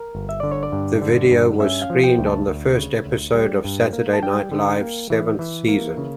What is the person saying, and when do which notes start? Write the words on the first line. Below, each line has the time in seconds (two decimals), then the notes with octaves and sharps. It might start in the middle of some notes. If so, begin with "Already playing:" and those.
The video was screened on the first episode of "Saturday Night Live"s seventh season.
Already playing: A#4
0.15 G1
0.29 E5
0.40 D3 D5
0.52 C#5
0.63 D5
0.72 G2
1.02 D3
1.31 G2
1.60 C#4 E5
1.82 F5
1.90 F3
2.04 G5
2.19 D2
2.26 A5
2.48 D2
2.77 C#3
3.06 D2
3.35 G3
3.64 G2
3.93 A#3
4.13 A5
4.22 G3 G5
4.52 D3
4.81 A#3
5.10 E3
5.39 E3
5.68 A#3
5.97 C#3